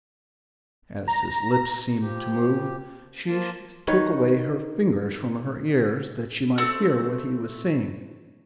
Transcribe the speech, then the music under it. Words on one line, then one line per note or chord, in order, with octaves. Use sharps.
As his lips seemed to move, she took away her fingers from her ears that she might hear what he was saying.
A#5
F3 G4
F3 A#3 F4 A5
D#3 B4 C#5
A3 C4